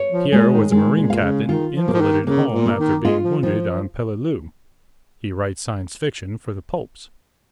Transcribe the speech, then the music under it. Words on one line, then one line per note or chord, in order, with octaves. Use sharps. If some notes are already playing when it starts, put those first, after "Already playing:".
Pierre was a Marine captain, invalided home after being wounded on Peleliu; he writes science-fiction for the pulps.
Already playing: C#5
F3
A#2 G#3
D#3
D#3 G#3
A#2
A#2 F5
C#3
D#3 F4
F3
A#3
F3
D#3
C#3 A#3
A#2
A#3
D#3
G#3 F4
F3
D#3 F3